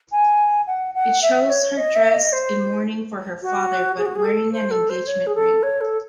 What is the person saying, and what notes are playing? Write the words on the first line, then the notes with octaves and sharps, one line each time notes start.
It shows her dressed in mourning for her father but wearing an engagement ring.
G#5
F#5
F#5
E5
C#5
D#5
E5
D#5
C5
F#4
G#4
F#4
G#4
A4
C5
A4
C5
C#5
G#4
A4
C#5
A4